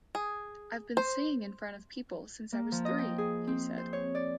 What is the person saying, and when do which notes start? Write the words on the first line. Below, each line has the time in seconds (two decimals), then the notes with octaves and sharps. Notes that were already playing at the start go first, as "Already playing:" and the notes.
"I've been singing in front of people since I was three," he said.
0.15 G#4
0.97 C5
2.52 A#3
2.72 F3
2.85 D#5
2.98 G5
3.18 G#4
3.47 C4
3.78 C5
3.93 C#5
4.15 D5